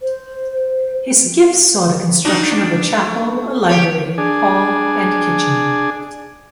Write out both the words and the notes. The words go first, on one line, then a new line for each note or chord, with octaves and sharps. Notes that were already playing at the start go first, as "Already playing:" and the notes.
His gifts saw the construction of a chapel, a library, hall and kitchen.
C5
D4 D#4 F#4
D4
A3
G4 C#5
D4 G#4